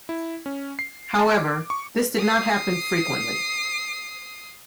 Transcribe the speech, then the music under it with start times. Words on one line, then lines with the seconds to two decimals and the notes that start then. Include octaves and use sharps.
However, this did not happen frequently.
0.09 E4
0.46 C#4
0.79 C7
1.19 A5
1.38 D6
1.70 C#6
2.18 D#6 C7